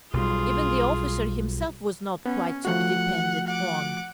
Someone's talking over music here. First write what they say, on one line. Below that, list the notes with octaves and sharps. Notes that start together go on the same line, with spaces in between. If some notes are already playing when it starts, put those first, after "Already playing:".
Even the officer himself was not quite to be depended on.
B1 G3 F4 G#4
B3 C#4
F3 A3 F#4 F#5
F#5 D6